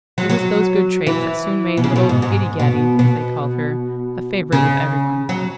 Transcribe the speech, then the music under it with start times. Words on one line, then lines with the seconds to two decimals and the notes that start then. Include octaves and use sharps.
It was those good traits that soon made little "Giddygaddy," as they called her, a favorite with every one.
0.18 F#3
0.30 F#3
1.07 E3
1.77 B2
1.84 C#3
1.96 B2
2.09 G#2
2.22 G#2
2.60 B2
2.99 B2
4.52 C#3
5.29 F#3